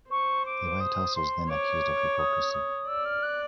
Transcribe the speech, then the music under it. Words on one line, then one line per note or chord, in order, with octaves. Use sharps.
The White House was then accused of hypocrisy.
C5 C#6
D6
D#6
C6
C#5 D6
D#6
D#6
D5 E6
F6
F#6